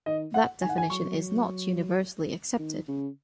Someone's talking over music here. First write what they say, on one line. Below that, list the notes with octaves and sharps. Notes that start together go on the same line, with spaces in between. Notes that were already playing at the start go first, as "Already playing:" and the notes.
That definition is not universally accepted.
D#3 D#5
F#5
D#3 G#5
F#5
G#5
F#3 C#6
D#3
C#3